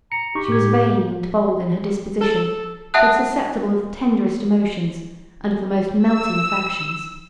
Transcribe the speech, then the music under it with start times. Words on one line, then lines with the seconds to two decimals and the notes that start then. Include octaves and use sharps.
She was vain and bold in her disposition, but susceptible of the tenderest emotions, and of the most melting affections.
0.12 A#5 C#7
0.35 D#4 G4 C#6
0.48 A2 G#6
2.21 A4
2.94 E5 F#5 A5 D#6 F#6
6.06 E6